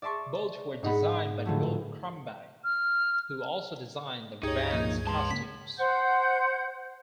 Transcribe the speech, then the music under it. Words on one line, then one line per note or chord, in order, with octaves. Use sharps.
Both were designed by Noel Crombie, who also designed the band's costumes.
D5 E5 A5 C6 C#6
G#2 D#4 F#5 B5
A2 D3 F3 F#3 A3
F6
C#2 G2 D#4 G4 G#4 C#5 G#6
A#2 F3 A#3
G#3 B4 A5 C6
C#3 A#3 C#4 B6
C5 F#5 G6